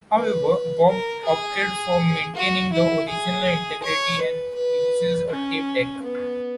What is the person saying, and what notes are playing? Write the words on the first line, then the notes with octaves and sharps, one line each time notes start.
However, Bob opted for maintaining the original integrity, and uses a tape deck.
B4
A#4
G#4
F#4
E4
G#4
C#5
B4
B4
C#4
B3